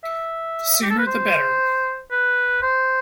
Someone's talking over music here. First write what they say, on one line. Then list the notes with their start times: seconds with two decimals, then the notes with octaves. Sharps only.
The sooner the better.
0.04 E5
0.82 G4
0.90 A4
0.98 B4
1.07 C5
2.11 B4
2.62 C5